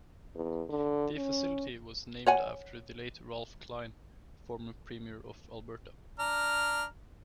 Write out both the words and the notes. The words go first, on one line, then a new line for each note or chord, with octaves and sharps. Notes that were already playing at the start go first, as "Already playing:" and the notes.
The facility was named after the late Ralph Klein, former premier of Alberta.
E2
D3
C#4
C#5 F#5 G#5
D4 A#5 F6